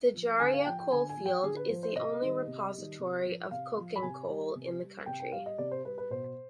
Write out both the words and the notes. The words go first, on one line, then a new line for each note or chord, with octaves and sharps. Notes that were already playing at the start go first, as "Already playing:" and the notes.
The Jharia coalfield is the only repository of coking coal in the country.
F3
D3 G#5
F5
G#5
F3 G5
G5
D3 G#5
G#5
F3
G5
D3 G#4
B4
F3 C5
C5
C3 D#5
D#3 G3
C3
D#3 G3
C3
F3
C3 F5
F3
B5
C3 G#5
G3
C3
G3
C3 G5
G5
G3 F5
D#5
C3 D5
C5
G3 B4
B4
B2 C5